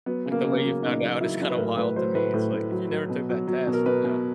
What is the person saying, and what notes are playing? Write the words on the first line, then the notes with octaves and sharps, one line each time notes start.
like, the way you found out is kinda wild to me. It's like, if you never took that test, you know,
F#3 B3
C#3
A#3
C#3
A#3
F#3
C#3 D#4
F#3
F#3 E4
F#3
B4
A2 A#4
A2 B4
F#3 C5
A2 B4
A2
A2
F#3
F#3
B2
F#3
F#3
B2
A#4
B2 B4
B2